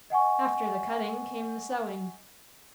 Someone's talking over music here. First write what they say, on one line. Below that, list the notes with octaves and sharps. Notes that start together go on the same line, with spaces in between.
After the cutting came the sewing.
D#5 F#5 G#5 C#6